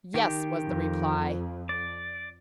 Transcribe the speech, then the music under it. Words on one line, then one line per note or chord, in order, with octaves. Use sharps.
"Yes," was the reply.
D#3 G4
F2
D5